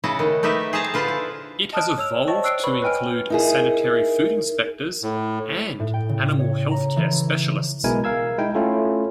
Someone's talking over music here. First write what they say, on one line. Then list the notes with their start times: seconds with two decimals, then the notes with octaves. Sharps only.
It has evolved to include sanitary food inspectors and animal healthcare specialists.
0.04 C#3 E4 F#4 D#5 A5
0.19 D#3 A3
0.43 A3 D#4 G4 B4 E5
0.73 G#4 C5 E5 A5 A#5
0.94 D3 F4 B4 C5 F#5 A5
1.08 E4
1.73 D#5 A5 D#6 F6 F#6 D7
1.98 C#5 E6 F7
2.28 C5 D5 D#5 G5 A5 C#6
2.44 E6 F#6 C7 D7
2.63 B4 C#5 B5 C#6
2.82 B4 D#5 G5 G#5 F6 D7
3.30 D#4 E4 G#4 A#4
5.03 A2
5.80 A2
5.94 G5
6.09 C#3
6.39 C#5
6.71 A#5
6.96 E3
7.84 B1 B2 G#3 E4 A#4 G#5
8.04 A#4 F5 E6 G#6
8.38 G#3 D#4 E4 G5
8.55 A3 C#4 E4 F4 A4